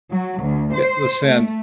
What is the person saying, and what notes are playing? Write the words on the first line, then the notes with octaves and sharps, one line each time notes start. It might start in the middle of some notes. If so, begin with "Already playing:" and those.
Yeah, the sand
F#3
D2
C5
A3